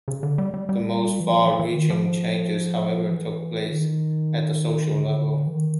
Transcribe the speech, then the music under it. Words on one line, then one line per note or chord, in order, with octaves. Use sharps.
The most far-reaching changes, however, took place at the social level.
C#3
D3
G3
G3
G3
E3
F3
E3
E3
D#3
F3
E3
D#3
D3
E3
D#3